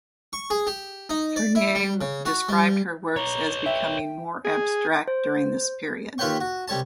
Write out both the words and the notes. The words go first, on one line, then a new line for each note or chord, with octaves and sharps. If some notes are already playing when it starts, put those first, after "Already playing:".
Turnier described her works as becoming more abstract during this period.
C#6
G#4
G4
D#4
D5
E4
G3
C#3
F#4
G3
B4 C#5 A#5
E5 G5
G#4
C5
D#2 F4 B4 C#5 G5 C#6
F#4
C2 G3 C#5 A5